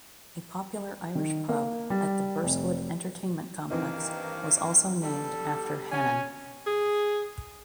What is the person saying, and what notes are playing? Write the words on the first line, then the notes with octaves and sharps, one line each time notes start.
A popular Irish pub at the Burswood Entertainment Complex was also named after Hannan.
D#3
A#3
G3
F1
G2 D#3 E3 A#3 C4 D#4
B2 G3 A4
C#4 G#5
G#4